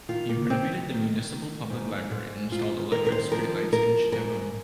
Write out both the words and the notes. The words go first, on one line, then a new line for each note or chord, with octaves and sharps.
He renovated the Municipal Public Library and installed electric street lights in Chittagong.
D#3 F4
A#3
D#3 C4
D#3
D#3
G#2
G#2
G#2 F4
D#3 A#4
A#4
C5
F3 A#4
F3 A#4
G#2 A#4